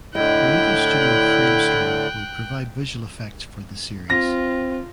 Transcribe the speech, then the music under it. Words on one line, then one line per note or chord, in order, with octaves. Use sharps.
Creative studio Framestore will provide visual effects for the series.
A2 D3 E4 D#5 G5 F#6
C4 F4 A#6